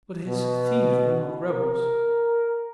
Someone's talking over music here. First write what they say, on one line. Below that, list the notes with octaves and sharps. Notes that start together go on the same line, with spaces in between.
But his thieves were not rebels.
B2
A#4